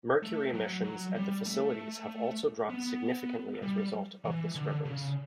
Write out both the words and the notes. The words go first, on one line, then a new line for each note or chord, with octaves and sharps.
Mercury emissions at the facilities have also dropped significantly as result of the scrubbers.
A3
F#3
F#3
G3
A3
B3
G3
E3
D3
C#3